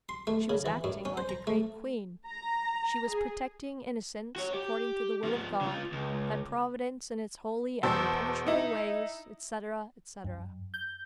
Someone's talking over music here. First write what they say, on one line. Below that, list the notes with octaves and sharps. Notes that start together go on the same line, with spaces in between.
She was acting like a great queen; she was protecting innocence according to the will of God that Providence in its holy and impenetrable ways, etc., etc.
C6
A3
C#3
E3
F#2
C#4
C5
A#5
A3
A#5
G#4
F#4 C#5
G4
F3 B3
C#3 F4
C#2
E2 B2 C5 A5 E6
D#4 E4
F#2
G6